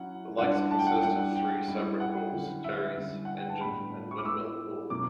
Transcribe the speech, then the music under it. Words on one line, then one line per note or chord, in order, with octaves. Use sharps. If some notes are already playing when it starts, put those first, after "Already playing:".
The lakes consist of three separate pools; Terry's, Engine and Windmill Pool.
Already playing: F#3 C#4 E4 F#5
E3 G3 D4 F#5
A5
G5
F#5
G5
E3 G3 D4 F#5
G5
E3 G3 C#4 E4
F#5
D3 F#3 C#4 E4
E5
D3 G3 C#4 E4
F#5
G5
A5
A2 G3 B3 D4 B5
C#6
D6
E3 B3 E4 E6
B2 F#3 C#4 D6